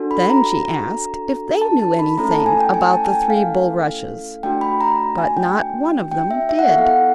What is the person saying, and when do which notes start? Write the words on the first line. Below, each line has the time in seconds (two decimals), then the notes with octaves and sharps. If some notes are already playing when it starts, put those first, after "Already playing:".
Then she asked if they knew anything about the three bulrushes, but not one of them did.
Already playing: D4 F#4 A4
0.11 B5
0.30 A#5
1.62 A5
1.79 A5
1.99 B5
2.17 A3 C#4 E4 A4 A#5
2.31 A5
2.46 G#5
2.59 G5
2.74 G#5
2.93 A5
3.04 G5
3.12 G#5
3.30 F5
4.43 A3 D4 F#4 G5
4.61 B5
4.81 A#5
5.18 G#5
5.37 G5
6.12 G5
6.31 E5
6.49 E5
6.59 F#5
6.68 B3 E4 A4 F5
6.78 F5
6.87 F#5